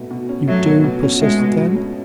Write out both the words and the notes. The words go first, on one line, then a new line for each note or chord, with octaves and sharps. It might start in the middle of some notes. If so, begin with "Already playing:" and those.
"You do persist, then?"
Already playing: B2 A3
B2
C#4
F#3 A3
B2
B2
C#4
G#3 A3
B2
B2
C#4